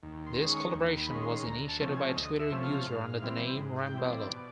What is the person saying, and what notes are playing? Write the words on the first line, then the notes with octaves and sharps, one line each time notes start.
This collaboration was initiated by a Twitter user under the name 'Ramballo'.
D#2
C6
D#3 G#3 C#4
C#6
D#2
B5
D#3 G#3 C#4
C6
D2 A#5
A5
C3 F3 A3 C#4
G#5
D2 D#5
E5
C3 F3 A3 C#4
F5
G#2
E3 G3 C4
G#2
G5
E3 G3 C4
D5
B2